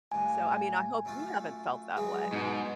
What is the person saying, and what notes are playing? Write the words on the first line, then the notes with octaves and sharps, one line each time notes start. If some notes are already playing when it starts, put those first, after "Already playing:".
So, I mean, I hope you haven't felt that way.
A1 G2 G#5
F#2 A3 F4
E3 F#3 G#3 G#4
G#2 B2